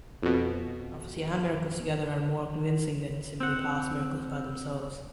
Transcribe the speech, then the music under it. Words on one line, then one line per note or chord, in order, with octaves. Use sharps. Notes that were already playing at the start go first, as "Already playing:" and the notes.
Prophecy and miracles together are more convincing than simply past miracles by themselves.
F2 B2
C4 F#5